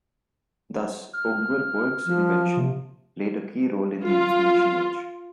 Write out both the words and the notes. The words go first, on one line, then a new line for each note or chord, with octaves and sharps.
Thus Ungerboeck's invention played a key role in the Information Age.
F6
F3
C3
F4